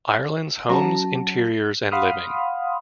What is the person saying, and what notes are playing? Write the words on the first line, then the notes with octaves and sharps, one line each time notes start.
Ireland's Homes Interiors and Living.
F#3 C#4 F#4 A5 A#5
F5 F#5 B5 C6 D#6 F6